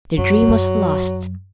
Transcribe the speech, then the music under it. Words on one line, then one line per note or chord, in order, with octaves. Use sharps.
Their dream was lost.
F#2 F#3
G2
F#2